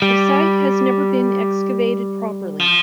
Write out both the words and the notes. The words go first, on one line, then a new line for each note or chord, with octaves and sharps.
The site has never been excavated properly.
G3
F3